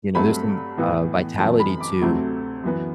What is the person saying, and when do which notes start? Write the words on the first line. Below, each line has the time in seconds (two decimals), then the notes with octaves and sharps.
you know, there's some, uh, vitality to
0.15 G2 F#3 A3 C4 B5
0.77 A2 E3 B3
1.39 F#2 E3 A3 C4 A5
1.60 B5
1.81 D6
2.02 D2 C3 F#3 A3 C4
2.64 F#2 E3 B3